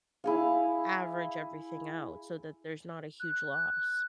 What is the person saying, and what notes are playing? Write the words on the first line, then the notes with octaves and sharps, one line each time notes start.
average everything out so that there's not a huge loss.
E4 G#4 F5
F#6